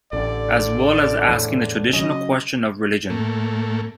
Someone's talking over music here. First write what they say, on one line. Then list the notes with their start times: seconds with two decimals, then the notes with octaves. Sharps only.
As well as asking the traditional question of Religion?
0.13 A1 D3 D5
1.28 E2 A2 E3
1.93 C#3 F#3 C#4 D#5
3.10 A2 A3 A#3